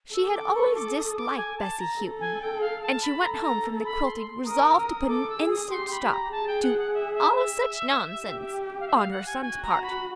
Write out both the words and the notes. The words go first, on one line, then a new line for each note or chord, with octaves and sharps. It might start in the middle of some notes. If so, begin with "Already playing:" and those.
She had always disliked Bessy Houghton, and she went home from the quilting resolved to put an instant stop to "all such nonsense" on her son's part.
A4 E6
D6
C#6
D6
D#6
D#6
D6
G#5
A5
A#5
A4
G#5
G5
F5
A5
B5
A4 A#5
A5
A#5
B5
C6
A#4 D#6
E6
D#6
A4 D6
E6
G#4
D#6
G4 C6
B5
A#5
G#4 A5
G5
F#5
F#5
E5
E5
E5
G4
F5
E5
F5
F#5
G#5
F#4 G#5
A#5
B5